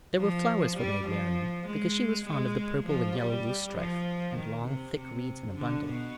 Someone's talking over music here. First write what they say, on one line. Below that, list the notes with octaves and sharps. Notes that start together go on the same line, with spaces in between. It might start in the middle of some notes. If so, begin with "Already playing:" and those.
There were flowers for Maid Marian, because she was fond of the purple and yellow loosestrife, and long thick reeds in a bundle.
F3
G3
F3
G#3
G#3
F3
G3
F3
D#3
C3
C3
D3
B2